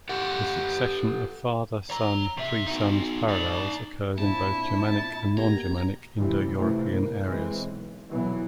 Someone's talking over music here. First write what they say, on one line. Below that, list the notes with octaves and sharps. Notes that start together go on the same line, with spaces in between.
The succession of father-son-three sons parallels occurs in both Germanic and non-Germanic Indo-European areas.
G4 A4 F#5
C#5 A#5
C3 E5
D#4 F#4
D#4 D5
A#2 C4 D4 E4 A5
B2 A#3 G4 A#5 G#6
F1 A#1 E3 F3 G3
F2 C3 E3 F3 A3
A#3
E3 G#3 C4
B1
C2 B2 E3 F#3 B3